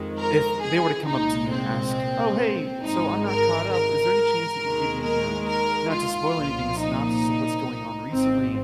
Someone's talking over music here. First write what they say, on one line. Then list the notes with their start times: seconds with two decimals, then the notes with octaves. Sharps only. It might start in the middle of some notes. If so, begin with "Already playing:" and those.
if they were to come up to you and ask, "Oh, hey, so I'm not caught up, is there any chance that you give me, you know- not to spoil anything- a synopsis of what's going on recently?"
Already playing: F2 D#3 G#3
0.18 A#4
0.62 G#4
1.06 C2 A#2 G#3 D#4
1.51 C4
2.82 G#1 G#2 G#3 D#4
3.26 A#4
3.71 A#4
4.59 D#2 D#3 G#3
5.03 A#4
5.47 A#4
5.91 F4
6.35 C2 A#2 F3
6.80 D#4
8.11 G#1 G#2 F3 C4